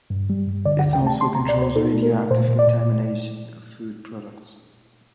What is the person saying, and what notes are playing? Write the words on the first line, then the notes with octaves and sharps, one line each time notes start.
It also controls radioactive contamination of food products.
G2
G3
G2
D3 D5
F#5
D2
G5
A3 A5
A3 C6
A#5
D2
D5
D2
C5
D#4 A4
A3
A#4
A3
A#2 C5
A#2
D5
A#2